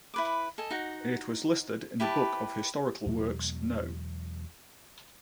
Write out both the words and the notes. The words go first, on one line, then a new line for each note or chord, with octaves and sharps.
It was listed in the Book of Historical Works no.
E4 B4 D6
A4 D#5 G#5
D#4 F#4 F#5
E4 G4 B4 A5
E2 B2 F#3 G#3